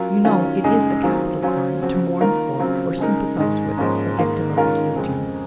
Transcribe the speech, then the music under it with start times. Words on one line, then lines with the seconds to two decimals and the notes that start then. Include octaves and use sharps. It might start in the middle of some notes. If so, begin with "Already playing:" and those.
You know it is a capital crime, to mourn for, or sympathise with, a victim of the Guillotine.
Already playing: F#3 C#4 F4 A#4
0.25 D#3 F#3 C#4 F4
0.64 F#2 C#3 G#3 D#4 G#4
1.03 D#3 F#3 C4 F4 G#4
1.42 F#3 C#4 F4 C5
1.82 C#3 F3 C4 F#4
2.21 D#3 A#3 F4 A#4
2.59 C#3 F#3 C4 F4
2.99 C#3 G#3 D#4 A#4
3.38 G#2 D#3 G#3
3.78 G#2 F3 A#3 C#4
4.17 G#2 D#3 A#3
4.56 D#3 G#3 C#4 F4 A#4
4.95 F2 C#3 G#3 C4